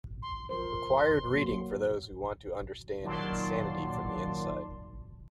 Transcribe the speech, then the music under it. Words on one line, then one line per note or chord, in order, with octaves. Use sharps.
Required reading for those who want to understand insanity from the inside.
C6
F3 A#4 C5 C6
F#3 A#3
A#2 D#3 F#3 D5 A5 C6